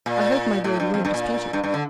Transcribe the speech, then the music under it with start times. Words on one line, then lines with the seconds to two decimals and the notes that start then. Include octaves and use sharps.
I hope, my dear, you won't dispute it.
0.06 A#2
0.64 A2
0.80 G2
0.94 F2
1.05 G2
1.14 A#2
1.53 G2
1.64 G2
1.74 D3